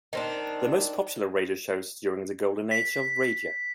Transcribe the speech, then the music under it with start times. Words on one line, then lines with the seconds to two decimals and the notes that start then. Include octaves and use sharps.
The most popular radio shows during the Golden Age of Radio.
0.13 D#3 C4 D4
2.71 B6